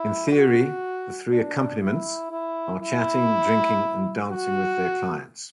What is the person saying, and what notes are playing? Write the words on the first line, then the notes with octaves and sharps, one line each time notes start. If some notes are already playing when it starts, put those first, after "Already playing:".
In theory, the "three accompaniments" are chatting, drinking and dancing with their clients.
Already playing: E4
F#4
D4
E4
E4
E4
F#4